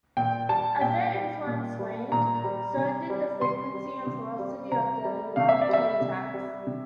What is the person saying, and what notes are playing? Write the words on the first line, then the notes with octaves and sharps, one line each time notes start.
As their influence waned, so did the frequency and ferocity of the Iraqi attacks.
A#2 G5
G3 A5
A#2 G5
G3
A#2
G3
A#2 A#5
G3
C3
G3
C3 C6
G3
C3
G3
C3 A#5
G3
C3 F5
E5
D5
G3 E5
C3
G3
C3